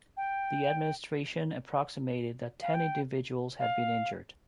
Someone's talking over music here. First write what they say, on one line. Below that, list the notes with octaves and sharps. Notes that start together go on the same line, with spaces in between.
The administration approximated that ten individuals had been injured.
G5
F5
G5
F5